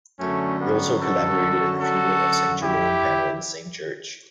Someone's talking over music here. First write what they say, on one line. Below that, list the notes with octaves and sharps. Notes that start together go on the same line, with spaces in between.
He also collaborated in the "Funeral of Saint Jerome" panel in the same church.
F#2 D3 F#3 A3 C#4
G3 B3
F#4 A4
F#4 A4
E4 G4